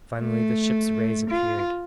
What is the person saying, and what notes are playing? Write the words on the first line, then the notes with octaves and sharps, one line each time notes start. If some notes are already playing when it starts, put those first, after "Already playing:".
Finally the ship's rays appeared.
A3
F4